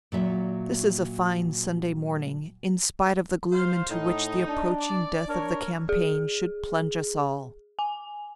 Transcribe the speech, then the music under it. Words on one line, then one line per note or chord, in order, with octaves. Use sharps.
"This is a fine Sunday morning in spite of the gloom into which the approaching death of the campaign should plunge us all."
A#2 F#3 E5
F4 C5 F5
A2 D#4
D4
D5
D4 A#4 C#5
G#4
G#5